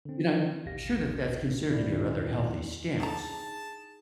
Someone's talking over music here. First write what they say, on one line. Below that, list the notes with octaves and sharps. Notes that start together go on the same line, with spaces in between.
and I'm sure that that's considered to be a rather healthy stance,
D3 C4
A1 D#2 B2 G4 F5 A#6
D2 A#2 D#3 C4 E4 D5
D3 D#4 E4 G#4 A5 A#5